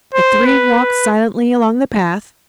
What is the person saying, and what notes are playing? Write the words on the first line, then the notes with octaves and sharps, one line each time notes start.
The three walked silently along the path.
C5
B4